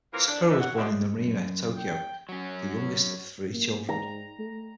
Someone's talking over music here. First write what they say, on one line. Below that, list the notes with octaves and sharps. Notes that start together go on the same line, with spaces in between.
Sakura was born in Nerima, Tokyo, the youngest of three children.
E3 A#3 C4 F4 A#4
D4
C#3 G#3 A4 D#5 E5
F#3 F#5
D#2 D3 C4 D#4 E5
F#2
G5
F#3 C#4
A#3
G#2 A#5
A3